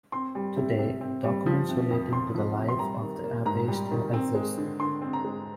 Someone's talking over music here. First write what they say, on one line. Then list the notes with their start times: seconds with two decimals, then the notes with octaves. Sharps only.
Today, documents relating to the life of the abbey still exist.
0.12 C4 C6
0.35 G3
0.56 C3
0.78 C3
1.01 C4
1.24 G3
1.46 F3
1.69 C3
1.91 F2
2.12 F2 C6
2.35 F3
2.56 C3
2.68 C6
2.79 G3 A#5
3.02 D#3
3.24 A#3
3.46 G#2 A#5
3.68 G3
3.91 D#3
4.14 C4
4.35 G#3
4.58 D3
4.80 D3 C6
5.02 C4
5.13 A#5
5.24 G#3